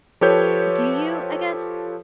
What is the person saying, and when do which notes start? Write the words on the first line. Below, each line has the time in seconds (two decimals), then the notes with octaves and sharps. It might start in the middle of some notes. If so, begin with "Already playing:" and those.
do you I guess
0.21 F3 G4 A4 B4 C#5 G6